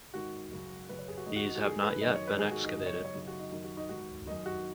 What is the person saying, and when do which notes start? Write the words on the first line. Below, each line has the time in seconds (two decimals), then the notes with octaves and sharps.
These have not yet been excavated.
0.14 G#2 D#3 F#4
0.51 F#2 C#3
0.89 F#2 C#3 B4
0.99 C#5
1.08 G#4
1.17 F#4
1.26 G#2 D#3 D#4
1.36 F#4
1.46 D#4
1.55 F#4
1.65 G#2 D#3 G#4
1.83 B4
2.01 F#2 D#3 D#5
2.15 C#5
2.27 B4
2.39 G#2 D#3 G#4
2.51 F#4
2.64 D#4
2.77 F#2 C#3 D#5
2.86 C#5
2.95 D#5
3.05 C#5
3.14 F#2 C#3 D#4
3.27 F#4
3.40 D#4
3.52 F#2 D#3 D#4
3.64 F#4
3.77 D#4
3.89 G#2 D#3 F#4
4.26 F#2 D#3 D#4
4.46 F#4